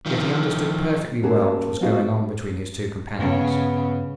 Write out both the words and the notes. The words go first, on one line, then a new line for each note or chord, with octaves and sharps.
Yet he understood perfectly well what was going on between his two companions.
D#3 F3
A3 A#3 C#4 F#4 G#4
B3 C4 D#4 F4 F#4 G#4
G2 C#3 B3